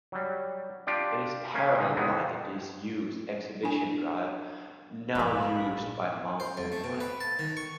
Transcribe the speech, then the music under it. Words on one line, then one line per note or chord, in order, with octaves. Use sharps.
It is paralleled by the disused Exhibition Drive, now used by mountain bikers.
F#3 G3
D4 F4 G4 D5
A3 A#3 C#4
A#2 D3 D#4
E3 G#3 B3 D#4
D4 G#5
A#1 G#2 F3 B5
C5
F2
A3
B2
B4
A5
D#3
C#6